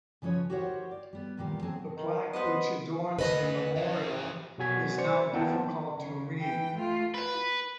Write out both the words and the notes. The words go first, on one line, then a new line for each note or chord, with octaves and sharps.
The plaque which adorns the memorial is now difficult to read.
C#3 F3 C#4 B4 C#5
F#4 G4 A#4 C5 C#5 F#5
D5
G3 B3
E2 A#2 D#3 G3 A#3
F#3 C4 G#4 A5
D#3
B3 B4 C5 D#5
D2 B4 D#5
E3 C#4
B2 F#3 F#4 G#5 G#6 B6
C5 D5 C#7
A#3 B3 D#4 E4 G5 A5
C#3
E3 G5
A3 F4
B4